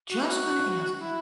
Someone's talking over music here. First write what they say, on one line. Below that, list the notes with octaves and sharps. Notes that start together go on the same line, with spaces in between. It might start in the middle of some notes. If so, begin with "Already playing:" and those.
Just gonna ask.
F#4
E4
F#4
E4